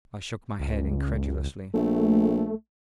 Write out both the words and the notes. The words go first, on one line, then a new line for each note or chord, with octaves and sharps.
I shook my head incredulously.
C#2
A#1 A3